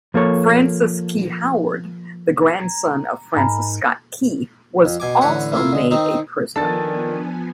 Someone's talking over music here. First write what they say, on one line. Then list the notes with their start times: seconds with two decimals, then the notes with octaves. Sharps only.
Francis Key Howard, the grandson of Francis Scott Key was also made a prisoner.
0.14 F3 A#3 A4 C#5
2.58 A#5 G#6
3.36 G#2 A#4 G#5 A#5 B5
4.85 F2
5.00 B2 G#5 D6
5.21 A1 D3 B4 C#5 F#5
5.52 A3 A#3 E4 F4
5.73 D3 G#3
5.91 D#3 C4 D#4
6.56 D#3 F3 B3 D4 A4 G#5 A6